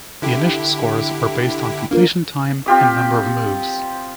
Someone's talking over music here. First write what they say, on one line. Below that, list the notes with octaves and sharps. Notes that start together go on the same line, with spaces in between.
The initial scores were based on completion time and number of moves.
D3 E4 G4
A#3 D4 F4 A#4
C4 F4 G4 D#6